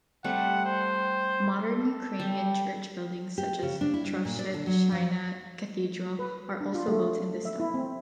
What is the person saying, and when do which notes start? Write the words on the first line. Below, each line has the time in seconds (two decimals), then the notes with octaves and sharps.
Modern Ukrainian church buildings, such as Troeshchina Cathedral, are also built in this style.
0.24 G3 A3 C4 F#5
0.65 C5
1.68 A4
2.19 G3
3.38 G4
3.63 C#3
3.81 D4
3.94 E4
4.06 G3
4.25 A#2
4.39 D5
4.54 D3
4.67 F#3
4.92 F3
6.19 B4
6.61 D4
6.74 F4
6.88 A3
7.45 E5
7.60 E4
7.74 C4